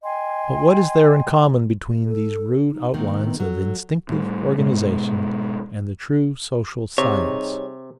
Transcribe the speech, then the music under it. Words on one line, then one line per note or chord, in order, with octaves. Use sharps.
But what is there in common between these rude outlines of instinctive organization and the true social science?
D#5 G5 G#5 C6
A4
D#4
G#2 C3 D#3 A#3
B3
F#3 A4
A2 G3
G#2 B2 G#3
C3 G3 D#4 G#4 C#5